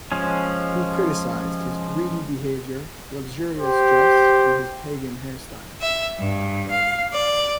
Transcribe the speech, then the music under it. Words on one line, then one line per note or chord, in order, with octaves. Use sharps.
He criticised his greedy behaviour, luxurious dress and his pagan hair style.
F3 G#3 C#4
G4 C5
E5
G2
F5
D5